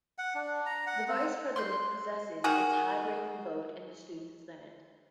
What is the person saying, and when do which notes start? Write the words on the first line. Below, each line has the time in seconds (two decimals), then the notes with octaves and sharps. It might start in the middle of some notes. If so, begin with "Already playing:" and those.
The vice-president possesses a tie-breaking vote in the Student Senate.
0.18 F#5
0.35 D4
0.66 A#5
0.87 F#5
1.08 C4
1.56 C6 F#6 G6
2.44 D#3 F#4 G#4